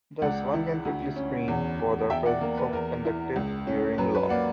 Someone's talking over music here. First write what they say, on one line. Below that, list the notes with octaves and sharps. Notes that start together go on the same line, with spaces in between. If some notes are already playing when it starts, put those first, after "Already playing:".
Thus, one can quickly screen for the presence of conductive hearing loss.
C#2 D5 F#5
E4
D2
C#4
E2
E2
E2 E5 G5
D5 F#5
A#3 A#4
B4
E2 A#4
E4
C#2
C#4
F#2 B4
B4
A#3 D5 F#5